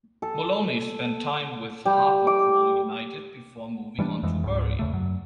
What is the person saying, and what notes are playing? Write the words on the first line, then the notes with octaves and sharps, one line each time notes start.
Moloney spent time with Hartlepool United before moving on to Bury.
A4
G3
D6
E3 G3 G#3 D4
F2 E3 G#3
C#2 G#2
E2 C#3 A3
F#2 F#3